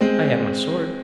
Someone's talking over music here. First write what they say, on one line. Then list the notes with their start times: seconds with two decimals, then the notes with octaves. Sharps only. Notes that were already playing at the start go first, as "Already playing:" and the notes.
"I have my sword."
0.01 G#3 C4